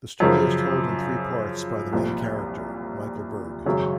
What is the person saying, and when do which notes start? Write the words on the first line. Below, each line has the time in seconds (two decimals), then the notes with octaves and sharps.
The story is told in three parts by the main character, Michael Berg.
0.20 F#2 C#3 F3
1.93 C2 A#2 F3
3.66 G#1 F#2 C#3 F#3